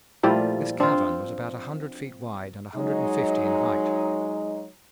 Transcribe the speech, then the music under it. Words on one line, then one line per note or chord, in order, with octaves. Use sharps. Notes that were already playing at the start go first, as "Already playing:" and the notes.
This cavern was about a hundred feet wide and a hundred and fifty in height.
A#2 F3 G3 A3 E4 G4
C4 D4 F4
F#3 G#3 D#4